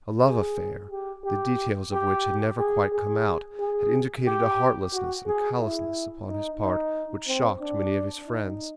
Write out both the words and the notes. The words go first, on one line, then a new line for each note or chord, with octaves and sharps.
A love-affair, the details of which had never quite come out, had indicated a heartlessness and callousness upon his part which shocked many of his friends.
G#4
G4
G4
G4
G#4
G#4
G#4
G4
F#4
G#4
E4
D#4
D#4
C4
D4
D#4